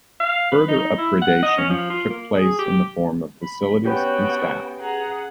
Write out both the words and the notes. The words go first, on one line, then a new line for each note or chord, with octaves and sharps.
Further upgradation took place in the form of facilities and staff.
F5
B4
D#4
E4
F#5
D#5
C#4
F3
F4
A#3
G#4
G4
B5
B3 C#4 F#4 G4 B4 G5 G6
G#4 F#5 A#5